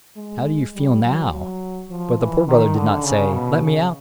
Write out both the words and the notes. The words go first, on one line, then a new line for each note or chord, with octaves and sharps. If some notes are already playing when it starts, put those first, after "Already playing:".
How do you feel now?" But the Poor Brother did not say, "Let me out!
G#3
G3
F#3
F#3
F3
E3
D#3
D3
C#3
B2
C#3